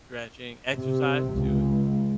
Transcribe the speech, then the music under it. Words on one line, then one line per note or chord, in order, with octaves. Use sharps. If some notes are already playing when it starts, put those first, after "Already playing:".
Stretching, exercise too, if
C3
C#2